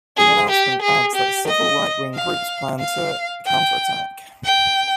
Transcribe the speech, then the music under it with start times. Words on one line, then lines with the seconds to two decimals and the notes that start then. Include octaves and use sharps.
The announcement adds that several right-wing groups plan to counter-attack.
0.17 G#4
0.50 G4
0.82 G#4
1.15 G4
1.48 D#5
2.14 F5
2.80 F5
3.46 G5
4.45 G5